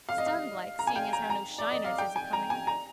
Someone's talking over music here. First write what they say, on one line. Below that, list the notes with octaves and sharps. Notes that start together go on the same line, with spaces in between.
Stunned like, seeing as how no shiners is acoming.
F5
D#5
F5
A#5
G#5
G5
A#5
A#5
D5
D#5
F5
G5
G#5
A#5
G#5
A#5